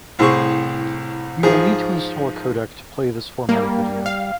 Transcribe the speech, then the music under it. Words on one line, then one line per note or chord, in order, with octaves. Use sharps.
You will need to install a codec to play this format of video.
C2 A2 G#4 C5 C#6
G#2 F3 G#4
G3 A#3
F5